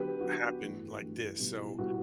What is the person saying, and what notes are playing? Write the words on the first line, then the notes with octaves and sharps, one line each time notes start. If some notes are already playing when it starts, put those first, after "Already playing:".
happen like this, so
Already playing: D3 F#3 B3 D4 G4 B4
D3 F#3 B3 D4 F#4
G2 E3 A3
G2 E3 A3
B2 G3 B3 E4
B2 G3 B3 E4 F#4